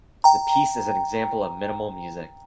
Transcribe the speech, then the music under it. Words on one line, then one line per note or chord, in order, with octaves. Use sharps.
The piece is an example of minimal music.
G5 A#5